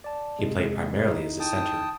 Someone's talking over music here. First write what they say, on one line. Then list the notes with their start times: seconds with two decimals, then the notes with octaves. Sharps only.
He played primarily as a centre.
0.04 D5 A5
0.39 C3 G#3
1.09 D#4 E4
1.40 G5 A5 D#6